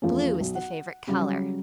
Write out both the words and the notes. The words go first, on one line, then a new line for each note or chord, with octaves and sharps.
Blue is the favorite color.
E2 F3 A3 C#4
B1
F#5
C#3 F#3 G3 C#4